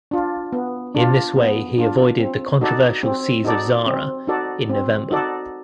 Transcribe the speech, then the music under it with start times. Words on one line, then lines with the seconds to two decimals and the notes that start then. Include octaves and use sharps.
In this way he avoided the controversial siege of Zara in November.
0.11 D4 F4
0.53 B3
0.95 D4 F4
1.36 B3
1.78 D4 F4
2.19 C4
2.61 D#4 F#4 A4 D5
3.03 C4
3.44 D#4 F#4 A4 D5
3.86 C4
4.27 D#4 F#4 A4 D5
4.69 C4
5.11 D#4 F#4 A4 D5